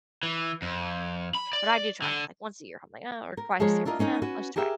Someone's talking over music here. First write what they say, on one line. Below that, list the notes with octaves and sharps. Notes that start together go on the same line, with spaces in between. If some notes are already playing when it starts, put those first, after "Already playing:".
But I do try, like once a year, I'm like uh, or twice a year, I'm "Eh, let's try it."
E3
F2
B5
D5
D3
A#4
F3 G#3 G#4 A#4 C#5
D4 E4 F4 A#4 D#5
A#3 C#4 D#4 G#4 A#4
C#4 F#4 B4
G4 G#4 A#4 E5 G5